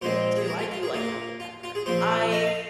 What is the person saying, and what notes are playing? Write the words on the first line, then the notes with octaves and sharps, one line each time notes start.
Me too, I do like lemon pepper, I
A#2 F3 G#3 C4 C5
G#4
A#4
F4
F4
G#4
A#2 A#3 F4
F4
F4
G#4
A#2 F3 C4 C5
D#5
F5